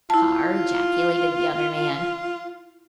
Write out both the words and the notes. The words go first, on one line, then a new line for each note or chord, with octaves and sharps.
"Har!" ejaculated the other man.
E4 F4 A5